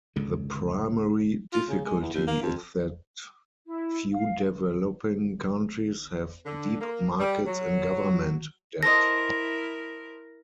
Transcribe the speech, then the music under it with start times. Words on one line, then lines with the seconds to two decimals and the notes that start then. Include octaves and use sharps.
The primary difficulty is that few developing countries have deep markets in government debt.
0.16 C#2 G#2 D3
1.53 F4
1.69 C#3
1.85 G#3
2.01 E2
2.14 D#2
2.27 A#3
2.42 F2
3.66 E4
4.13 F5
6.46 D3
6.80 A#3
7.19 G3
7.47 F#3
8.83 E4 A4 A#4 C5 D#5 A#6